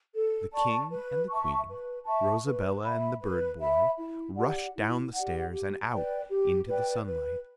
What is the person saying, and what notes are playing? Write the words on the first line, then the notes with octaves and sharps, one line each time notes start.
The King and the Queen, Rosabella and the bird-boy, rushed down the stairs and out into the sunlight.
A4
D5 A5 C#6
B4
E5 A5 C#6
B4
E5 A5 C#6
B4
E5 B5
B4
E5 B5
E4
G4 D5 F#5
E4
G4 D5 F#5
G4
B4 D5 G5
G4
B4 D5 G5
B4